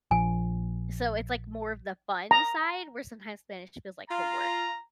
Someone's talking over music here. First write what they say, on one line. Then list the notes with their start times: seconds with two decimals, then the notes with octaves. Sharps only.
so it's, like, more of the fun side where sometimes Spanish feels like homework.
0.11 A#1 A#2 F3 G#5
2.31 A#5
4.10 F4 A#5